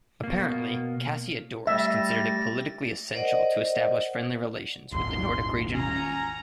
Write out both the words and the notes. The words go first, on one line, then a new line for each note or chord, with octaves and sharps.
Apparently Cassiodorus considered it politically essential to establish friendly relations with the Nordic region.
B2 A#3
G3 A3 E5 A6 A#6
A#4 C5 D5 D#5 F#5
D#1 G#1 D#2 C6
C#4 A#5